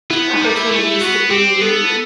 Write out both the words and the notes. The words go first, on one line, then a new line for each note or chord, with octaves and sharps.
opportunities to be
B3 E4
D#4
G3
E4
A3
E4
B3 F#4
C4 G4
B3 A4